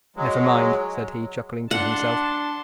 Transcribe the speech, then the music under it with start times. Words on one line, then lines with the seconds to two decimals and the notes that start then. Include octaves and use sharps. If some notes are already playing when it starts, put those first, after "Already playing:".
"Never mind," said he, chuckling to himself.
0.16 F#3 G#3
1.71 D4 F#5 A5 C6